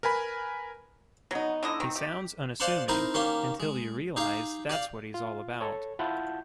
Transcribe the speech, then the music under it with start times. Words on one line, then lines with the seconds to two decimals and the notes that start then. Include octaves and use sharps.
He sounds unassuming until you realize that's what he's all about.
0.03 A#4 B4 G#5 B5
1.31 F#3 B3 D#4
1.63 D3 E4 D#5
1.80 D#3 C4
1.96 G4
2.60 C5 D5 F5 F#5 A5 C6
2.88 C4 D#4 E4 A#4 C5
3.14 D#3 A#3 C#4 G4 C6
3.60 G#3
4.16 D#4 G4 G#4 F5
4.69 G4 D5 F5
5.14 F4
5.61 A4 C#5
5.99 E4 F4 F#5 A5 G6